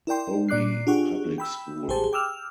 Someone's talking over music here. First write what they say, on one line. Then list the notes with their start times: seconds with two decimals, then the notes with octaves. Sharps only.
Crowle Public School.
0.07 E4 A#4 D5 G5 C6
0.49 A#2 D5 D6 F#6 C7
0.87 D4 F4 G4 G#4 F#5 C#6
1.38 G5 B5 E6
1.88 A1 G4 G#4 C5 A5
2.13 G5 D6 E6 F6